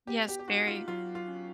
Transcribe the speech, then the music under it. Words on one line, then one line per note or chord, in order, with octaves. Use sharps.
Yes, very.
B3 G4
G4
G4
D#4 F#4
F4
F#3 F4
F4
C#4